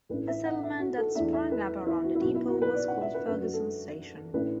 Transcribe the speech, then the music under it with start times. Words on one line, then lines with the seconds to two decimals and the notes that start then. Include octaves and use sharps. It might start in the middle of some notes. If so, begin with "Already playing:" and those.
The settlement that sprang up around the depot was called Ferguson Station.
0.09 A1 A2 E3 D4 B4
0.27 E5
0.45 F#5
0.63 E5
0.80 F#4
0.98 A4
1.15 E2 E3 A3 D4 E5
1.33 E5
1.52 B4
1.86 E4
2.04 F#4
2.15 E4
2.21 B1 B2 B3 F#4
2.35 E4
2.48 F#4
2.62 B4
2.74 D5
2.88 F#5
3.02 E5
3.14 B4
3.27 F#2 B4
3.30 D3 F#3
3.40 F#4
3.54 A4
4.33 A1 A2 E3 D4 B4